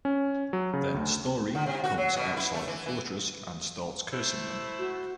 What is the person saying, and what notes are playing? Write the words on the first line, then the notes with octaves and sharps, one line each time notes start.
Then Snorri comes outside the fortress and starts cursing them.
C#4
F#3
C#3
D2
D3
C3
F#4
F#3
B2
E4
A3
E3
E3
A3 E4 C5
F#4